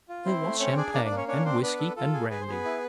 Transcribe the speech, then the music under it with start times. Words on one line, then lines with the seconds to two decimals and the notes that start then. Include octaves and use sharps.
There was champagne, and whiskey, and brandy.
0.09 F4
0.25 C4 E4 C5
0.43 A3
0.59 C4 C#4 C#5
0.77 D4 G#4 D5
0.94 A#3 D4 D5
1.05 D4 D5
1.11 A#3
1.16 C#4 C#5
1.28 C#4 D4 C#5
1.45 C4 D4 C5
1.62 B3 D4 B4
1.79 A4
1.96 F4 A4
2.13 G#4
2.30 G#4 B4
2.41 C5
2.48 B3 G#4 B4
2.65 E4